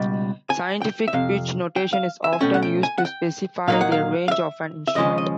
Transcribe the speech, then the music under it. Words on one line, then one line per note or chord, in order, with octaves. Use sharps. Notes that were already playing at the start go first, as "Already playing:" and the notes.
Scientific pitch notation is often used to specify the range of an instrument.
Already playing: C#2 B2 G3
G#5
G5
E5
F2 C3 F5
G5
F5
E5
G#5
B2 F#3 A3 C#4 G5
F#5
G5
G#5
F#5
G5
A#2 F#3 A#3 D#4 F5
F#5
F5
F5
E5
E5
D#2 C#3 F3 G#3 C#4 D#5
D#5